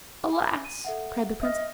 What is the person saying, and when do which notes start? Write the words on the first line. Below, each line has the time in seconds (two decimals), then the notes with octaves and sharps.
'Alas!' cried the princess.
0.31 E5 G#5 D6
0.65 D#7
0.84 A4 E5 F#5
1.42 D#5 E5 D#6 F6